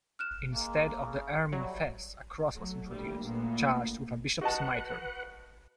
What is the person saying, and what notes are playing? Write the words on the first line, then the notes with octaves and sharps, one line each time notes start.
Instead of the ermine fess a cross was introduced, charged with a bishop's mitre.
F6 F#6 E7
G#3 A#3
C#3
F#3 G3 A3
F#3 A3
D2 G3 A#3
D2 A#2 B3
F#4 B4 D#5 F#5 A5